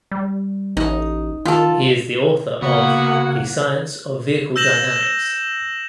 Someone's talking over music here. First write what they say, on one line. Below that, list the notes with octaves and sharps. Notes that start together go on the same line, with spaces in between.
He is the author of "The Science of Vehicle Dynamics".
G3
A1 D#4
D#3 F4 A4
C#3 A#3 B3 F#4 F#5
E6 G6 A#6 E7 F#7